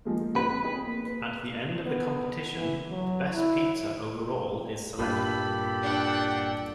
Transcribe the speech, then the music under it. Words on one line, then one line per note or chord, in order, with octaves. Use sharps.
At the end of the competition, the best pizza overall is selected.
F3 G#3 A#3
F2 B4
C4 G#4
A#3
B3
E3
F#3
E4
G2 A#2 G4 A4 B5
D4 F#5 G5